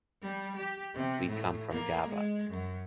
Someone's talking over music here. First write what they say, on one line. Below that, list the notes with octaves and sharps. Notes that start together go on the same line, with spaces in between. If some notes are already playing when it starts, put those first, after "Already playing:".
We come from Gavà.
G3
G4
C3
A2
A#3
G#3
F#2